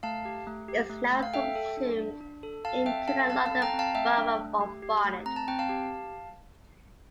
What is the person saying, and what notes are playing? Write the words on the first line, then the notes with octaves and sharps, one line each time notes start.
It is now subsumed into the London Borough of Barnet.
A3 F5 A5
G4
A3
G4
A3
A3
F5
A4 E5 G5
A4
D4
D4
D4
A4
A4 F5 A5
C4 E5 G5
A4 F5 A5
C4 F5 A5
F5 A5
A4
G5 A#5
C4
F5 A5
A3 E5 G5
D4
A3
G4
G4
A3
C4 A#5
A5
C4 G5
F5 A5
G4